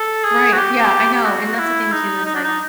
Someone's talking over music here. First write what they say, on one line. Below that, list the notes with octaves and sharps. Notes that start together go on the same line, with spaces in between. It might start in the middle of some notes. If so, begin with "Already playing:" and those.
Right, yeah, I know, and that's the thing too, is, like,
Already playing: A4
G#4
F#4
G4
G4
F#4
E4
D#4
D#4
D4
D#4